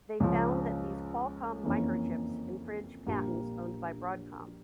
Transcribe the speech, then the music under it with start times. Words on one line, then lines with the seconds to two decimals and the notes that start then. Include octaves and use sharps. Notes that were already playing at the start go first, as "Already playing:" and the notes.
They found that these Qualcomm microchips infringe patents owned by Broadcom.
0.20 C#2 C#3 F3
1.63 F2 E3 A#3 C#4
3.06 A#1 A#2 G3 A#3